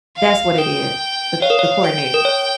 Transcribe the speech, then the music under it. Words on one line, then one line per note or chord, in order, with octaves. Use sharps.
That’s what it is, the the coordinator.
F5
A#4 G5
C#5 F5
A#4
C#5
G5
A#4
C#5